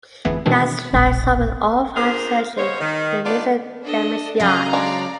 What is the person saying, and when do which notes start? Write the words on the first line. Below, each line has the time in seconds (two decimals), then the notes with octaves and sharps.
Kaz flies off with all five searching for the missing damaged yacht.
0.25 G1 F2 E3 A3 B3 G#4
0.46 B2 D#3 E3 G#3 C4 D4
0.94 E1 A#1
1.95 D4 F4 G4 G#4 A#4 C5
2.57 C#3 G#3 B3 C5 C#5
2.80 D#3
3.25 B3 D4 D#4 F4 D5
3.84 D4 A4 D#5
4.40 C#3 F#3 G#4 D#5 F5 A#5
4.73 G#3 D4 D5